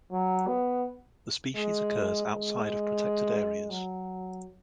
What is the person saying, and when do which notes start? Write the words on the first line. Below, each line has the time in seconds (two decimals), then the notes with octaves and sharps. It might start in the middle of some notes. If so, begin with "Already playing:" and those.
The species occurs outside of protected areas.
0.12 F#3
0.47 B3
1.56 G#3
2.27 G#3
3.70 F#3